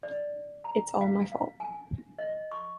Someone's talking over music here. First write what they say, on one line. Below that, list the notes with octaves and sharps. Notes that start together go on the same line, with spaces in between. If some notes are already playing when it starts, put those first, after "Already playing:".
It's all my fault.
D5
A#5
F5
F5
G#5
D#5
C#6